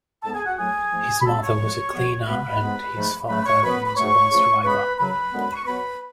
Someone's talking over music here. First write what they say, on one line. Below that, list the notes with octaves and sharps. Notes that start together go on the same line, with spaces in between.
His mother was a cleaner and his father was a bus driver.
G#2 G#3 B3 A4 A5
G#4 G#5
F#4 F#5
A2 F#3 A3 G#4 G#5
G#2 F3 A3
B5
C#3 G#3 B3 A4 A5
C#5 C#6
F2 F3 G#3
F#2 F3 B3
B2 G#3 B3 B4 B5
G#2 G#3 B3
G#2 F3 A3
C#3 F#3 A3 B4 B5
C#5 C#6
F#2 F3 B3 B4 B5
B5
G#2 F#3 A3 C#5 C#6
C#3 F3 A3
C#6
C#3 G#3 B3 B4 B5
F#2 C#3 F#3 B4 B5
F#2 D3 G#3 B3
C#6
B2 F#3 B3 B4 B5